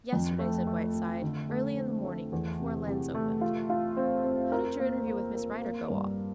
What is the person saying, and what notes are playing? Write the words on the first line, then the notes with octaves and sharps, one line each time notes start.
"Yesterday," said Whiteside, "early in the morning, before Lyne's opened. How did your interview with Miss Rider go off?"
F2
A3
A3
A3
D3
A3
C4
A3
E2
C3
C3
A3
F4
F4
C4
C4
A#4
A#3
A#3
A#4
A#3
G2